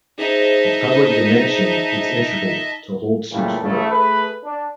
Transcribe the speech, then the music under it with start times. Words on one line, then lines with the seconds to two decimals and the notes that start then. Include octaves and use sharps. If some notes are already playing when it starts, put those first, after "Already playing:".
The public dimension is integral to Holzer's work.
0.18 D#4 G#4 C5 D#5 E5 A5
3.32 A#2 C#3 E3 G3 A3
3.62 A1 C#3 A3
3.91 A3 G#4 B4
4.44 D4